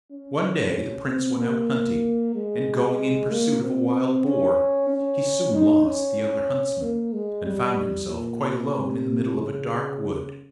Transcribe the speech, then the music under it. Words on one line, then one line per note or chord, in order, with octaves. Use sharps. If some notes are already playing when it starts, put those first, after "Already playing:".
One day the Prince went out hunting, and going in pursuit of a wild boar he soon lost the other huntsmen, and found himself quite alone in the middle of a dark wood.
C#4
C4
A#3
G#3
A#3
C4
C#4
C#4
D#4
C#4
A#3
G#3
G3
A#2
C3
C#3